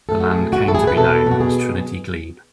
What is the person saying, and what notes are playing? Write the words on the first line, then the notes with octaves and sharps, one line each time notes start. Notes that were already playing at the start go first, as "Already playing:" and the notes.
The land came to be known as "Trinity Glebe".
A3 A4
F#4
G#4
B2
F#4
E4 A4
G#4
B4
B2 A4
B2 F#4
G#4